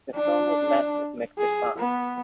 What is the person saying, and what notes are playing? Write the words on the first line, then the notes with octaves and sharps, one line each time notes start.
The film was met with mixed response.
D4
G#4
B3